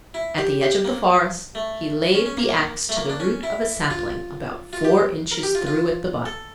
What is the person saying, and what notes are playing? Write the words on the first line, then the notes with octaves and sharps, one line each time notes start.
At the edge of the forest he laid the axe to the root of a sapling about four inches through at the butt.
E4
G4
G4
A#3
A3
C#4
C#4
A#3
A#3
A3
A#3
D4
C#4
E4
F4
F4
G4
A#4
G4
F4
F4
A4